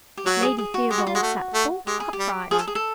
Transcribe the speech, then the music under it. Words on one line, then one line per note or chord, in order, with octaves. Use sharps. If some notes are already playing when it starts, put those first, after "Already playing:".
Lady Theobald sat bolt upright.
G4
F#3 F#4
G#4
G#4
F#4
G#3 G4
F#4
F4
G#3 F#4
A3
A3
G#3 G4
G#4
G4
G3
F3 G#4
A4
G#4
A4